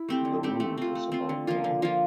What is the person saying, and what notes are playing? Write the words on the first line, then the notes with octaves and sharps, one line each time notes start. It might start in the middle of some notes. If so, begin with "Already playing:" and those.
The route is about long.
Already playing: E4
A3 C4 G4
D3
A3 C4 G4
A3
C4 F4
A3
C4 F4
D3
F3 A#3 F4
D3
F3 A#3 F4